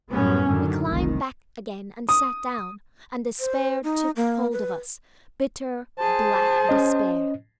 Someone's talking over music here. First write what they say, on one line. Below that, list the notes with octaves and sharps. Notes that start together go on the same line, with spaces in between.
We climbed back again and sat down, and despair took hold of us, bitter, black despair.
F#2 A2 G3 B3 C#4
F#2 A2 D3 D#3
F1 C2 D#3
D#6
C5
D#4
A#3
B4
G#4 C5 A5
C#4 D#5